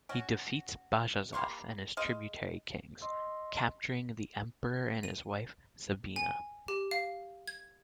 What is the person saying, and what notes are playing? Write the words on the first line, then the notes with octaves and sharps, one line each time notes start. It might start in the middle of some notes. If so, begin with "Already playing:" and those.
He defeats Bajazeth and his tributary kings, capturing the emperor and his wife Zabina.
C#4 F#4
G3 A#3 C6 C#6
G#3 D#5 F5
D#5 C6 E6
D#7
G#5
G4
F5
G#6